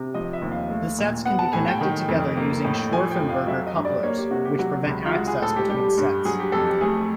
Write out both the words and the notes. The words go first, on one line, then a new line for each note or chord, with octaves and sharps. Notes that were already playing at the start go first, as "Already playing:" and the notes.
The sets can be connected together using Scharfenberger couplers, which prevent access between sets.
Already playing: C3
F3 D#5
E5
D#2
F5
A3
A#2
B3 F#5
A5
A2 G#5
G5
D#3
F2
A#3
A2
F3 G#5
G5
F2
F5
F#3 E5
D#5
G2
D5
A#3 C#5
G4
C3 F#4
G4
F#3 F#4
C#2
F4
G#3 F#4
G#4
A2 A4
G4
G3 G4
G2
F#3 G#4
G4
F2 A4
G4
A3 G#4